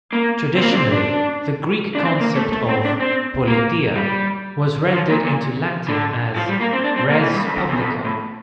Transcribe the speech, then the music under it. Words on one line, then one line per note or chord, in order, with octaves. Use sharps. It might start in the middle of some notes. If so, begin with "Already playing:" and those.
Traditionally, the Greek concept of "politeia" was rendered into Latin as res publica.
A#3
C4
A#3
D4
C4
D4
D4
C4
A#3
A3
A3
C4
D4
C4
A#3
G3
F3
A#2
A#2
D3
F3
G3
A#3
C4
D4
C4
A#3
E3
G2
F2
F2
E2
F2
A2